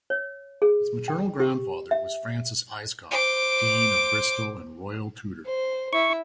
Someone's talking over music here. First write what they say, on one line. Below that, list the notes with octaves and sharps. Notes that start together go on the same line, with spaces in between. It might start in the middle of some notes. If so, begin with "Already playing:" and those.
His maternal grandfather was Francis Ayscough, Dean of Bristol and royal tutor.
C#5
G#4
G5
G4
E5
C5 D6
C5
E4 E5 C#6